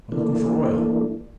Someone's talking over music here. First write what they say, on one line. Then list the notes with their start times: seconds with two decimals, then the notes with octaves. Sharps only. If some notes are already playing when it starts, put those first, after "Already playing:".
I'm looking for oil.
0.12 E3 A3 A#3 D4